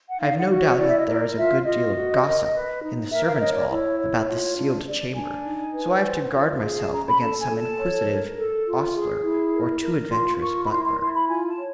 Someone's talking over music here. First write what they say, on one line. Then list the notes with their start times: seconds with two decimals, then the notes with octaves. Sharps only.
"I have no doubt that there is a good deal of gossip in the servants'-hall about this sealed chamber, so I have to guard myself against some inquisitive ostler or too adventurous butler."
0.08 F#5
0.19 D#4 F5
0.39 F#5
0.49 F#4
0.59 C#5
0.78 E4 D5
0.89 E5
0.98 D#5
1.07 A#4 D5
1.36 F4 E5
1.65 F4 D#5
1.94 F#4
2.24 A#4
2.53 B4
2.82 D#4
3.11 A#4 E5
3.25 F5
3.33 E5
3.40 C#5 D#5
3.54 D5
3.69 E4 C#5
3.99 C#5
4.28 F4
4.57 D4
4.87 D4 D5
5.15 D4 G#5
5.44 D#4
5.74 B4
6.03 C5
6.32 F4
6.61 G#4
6.76 A5
6.91 C#4 A#5
7.06 B5
7.19 A4 A5
7.39 G#5
7.49 A4
7.58 A5
7.78 C#5
8.07 A#4
8.36 A4
8.65 F4
8.94 G#4
9.23 E4
9.53 A#4
9.83 A#4
10.11 F4 C6
10.40 A#4 C#6
10.64 B5
10.69 E4 C6
10.84 C6
10.98 E4 C6
11.14 B5
11.28 F4 G#5
11.47 A5
11.57 C#5